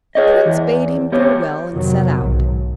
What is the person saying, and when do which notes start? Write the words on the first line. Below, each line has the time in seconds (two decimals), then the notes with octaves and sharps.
The prince bade him farewell and set out.
0.15 G#4 C#5 D#5
0.46 E2
1.12 B3 G4 C#5
1.72 F2 C3 D#3 F3 F#3 B3
2.19 B1 G#2